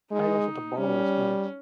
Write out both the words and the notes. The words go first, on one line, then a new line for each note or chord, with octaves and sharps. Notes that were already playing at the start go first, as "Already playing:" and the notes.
I was at a ball last night.
G#3 D#4
G3 C#4